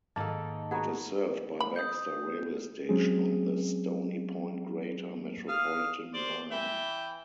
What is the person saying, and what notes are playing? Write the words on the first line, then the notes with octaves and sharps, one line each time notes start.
It is served by Baxter railway station on the Stony Point greater-metropolitan line.
G#2 D#3 A#3 D#4 A4 A5
B3 F#4 G#4 F#5 A#5
B5
D#6 G6
F#3 G#3 C4 C#4 G#4
F5 D#6 F6
C5 D5
E3 E5 G5